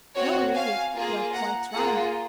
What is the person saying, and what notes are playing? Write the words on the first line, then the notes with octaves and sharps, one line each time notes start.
'No; really you are quite wrong.
C4 F#4 C#5
F5 G#5
A#3 F4 G#4
F#5 A#5
A#3 F4 G#4 F#5 A#5